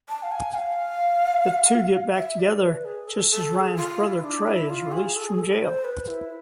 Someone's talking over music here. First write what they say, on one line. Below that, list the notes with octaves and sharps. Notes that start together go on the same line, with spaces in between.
The two get back together, just as Ryan's brother Trey is released from jail.
A5
F5
G#5
F5
E5
D5
B4
G#4
A4
A4
G#4
F4
E4
D4
E4
F4
G#4
A4
G#4
A4
D5
C5
B4
E4